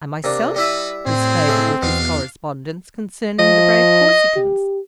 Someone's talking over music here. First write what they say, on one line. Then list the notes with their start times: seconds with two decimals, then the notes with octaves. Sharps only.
I myself was favoured with his correspondence concerning the brave Corsicans.
0.24 C3 A#3 D4
0.56 G3 E4 A4 B4 D#5 E5
1.07 A2 C4 C#4 G#4
1.48 G#3 A3
1.83 E2 B2 D4 F5
3.39 F3 D#5
4.36 G4